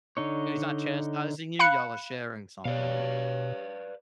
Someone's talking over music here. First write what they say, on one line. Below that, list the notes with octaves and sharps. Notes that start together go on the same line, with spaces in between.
Yeah, he's not chastising you, y'all are sharing something.
D3 D#4 C#5
F5 B5 F#6 C#7
B2 G4 B4 C#5 D5 F5